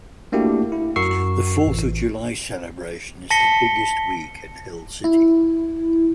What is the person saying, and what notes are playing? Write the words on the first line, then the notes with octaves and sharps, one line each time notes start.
The Fourth of July celebration is the biggest week in Hill City.
A3 A#3 D4 E4 F#4 G4
E4
F#2 F#4 A#4 C#6 E6 C7
A1
A5 A#6 B6 C#7 G7
E4